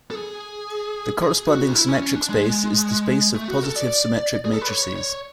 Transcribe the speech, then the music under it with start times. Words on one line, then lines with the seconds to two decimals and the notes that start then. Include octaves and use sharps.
The corresponding symmetric space is the space of positive symmetric matrices.
0.11 A4
0.15 G#4
1.22 G#4
1.48 F#4
1.67 D4
1.75 E4
1.88 C#4
2.02 C#4
2.15 D4
2.29 G#3
3.35 A3
3.48 F#4
3.63 A4
3.76 D5
4.45 G#4
4.53 A4
4.61 B4
4.68 C#5
4.96 C#5